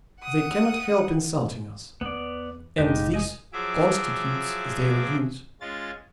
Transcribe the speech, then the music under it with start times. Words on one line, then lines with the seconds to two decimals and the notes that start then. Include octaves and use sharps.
They cannot help insulting us, and this constitutes their use.
0.20 F#5 D#6
2.01 E2 B3 D5
2.78 F1 F2 G#3 D#4 G4
3.14 D#5 G#5 D#6
3.53 F3 F#3 G#4 E5 D6
5.61 G#3 C#4 F4 A6